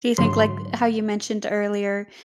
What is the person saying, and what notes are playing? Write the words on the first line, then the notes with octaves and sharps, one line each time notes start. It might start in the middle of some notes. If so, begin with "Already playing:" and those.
Do you think like, how you mentioned earlier,
G#2 D3 F#3 C6